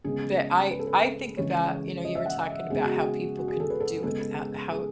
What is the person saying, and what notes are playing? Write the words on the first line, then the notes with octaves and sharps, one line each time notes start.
The I I think about, you know, you were talking about how people could do with a how
C#3 G#3 B3 G#4
B4
A4
B4
C#3 E3 G#3 C#5
D#5
E5
F#5
C#3 G#3 B3 G#4
F#4
G#4
F#4
G#4
A4
B4
A4
C#3 G#3 B3 A4
G#4